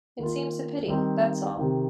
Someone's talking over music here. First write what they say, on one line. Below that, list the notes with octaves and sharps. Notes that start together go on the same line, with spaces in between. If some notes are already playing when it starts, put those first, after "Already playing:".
It seems a pity, that's all.'
D#3 A#3 F4
D#3 G3 C4 D#4
C3 D#3 C4 D#4